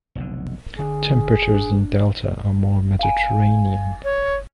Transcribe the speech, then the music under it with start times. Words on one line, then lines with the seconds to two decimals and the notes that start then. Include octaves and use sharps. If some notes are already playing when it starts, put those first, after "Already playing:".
Temperatures in the Delta are more Mediterranean.
0.15 F1 B1 D3
0.79 D3 D4 G#4
1.55 D4
2.99 F5 G#5
4.04 C#5